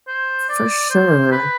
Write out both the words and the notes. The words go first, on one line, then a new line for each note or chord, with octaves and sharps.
For sure.
C5
D5
C5
B4